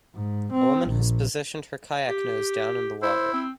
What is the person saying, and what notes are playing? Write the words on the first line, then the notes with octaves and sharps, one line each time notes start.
A woman has positioned her kayak nose down in the water.
G#2
C4
A#1
G4
E4 C5
C4